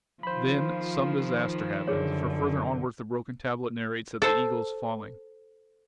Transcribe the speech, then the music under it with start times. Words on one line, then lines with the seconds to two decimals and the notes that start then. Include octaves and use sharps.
Then some disaster happens, for further onwards the broken tablet narrates that the Eagle is falling.
0.23 D#3 F3 F4 C5 B5
1.88 F#2 D3 G#4 C#5
4.22 A4 C5